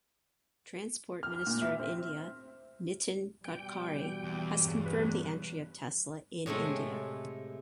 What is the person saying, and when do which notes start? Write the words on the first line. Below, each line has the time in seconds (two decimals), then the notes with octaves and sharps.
Transport Minister of India Nitin Gadkari has confirmed the entry of Tesla in India.
1.23 F6
1.47 A#2
1.61 E5
1.80 C4
3.45 B2 G3 G5
3.89 E3
4.24 E2
4.56 G2 C#3
4.86 B4
6.46 A2 C3 G#3 A3